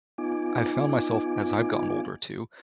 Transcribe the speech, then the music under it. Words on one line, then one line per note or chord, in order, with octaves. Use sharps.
I've found myself, as I've gotten older too,
B3 D#4 F4 G#5 D6